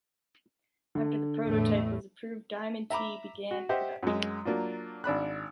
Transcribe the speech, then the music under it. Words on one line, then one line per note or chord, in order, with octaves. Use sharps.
After the prototype was approved, Diamond T began production.
D3
E2 A2 A3
E5 A#5 B5 D6
F#4
G4 C5 D#5 E5 F#5
F#2 G#3
F#3 A#3 D4 F4
G#1 D4 B5 F#6